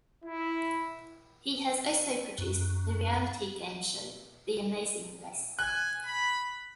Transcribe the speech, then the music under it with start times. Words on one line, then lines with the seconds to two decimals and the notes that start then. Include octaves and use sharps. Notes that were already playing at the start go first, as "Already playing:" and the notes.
He has also produced the reality game show "The Amazing Race".
0.24 E4
2.38 F#2
5.59 G#5 F#6
6.06 B5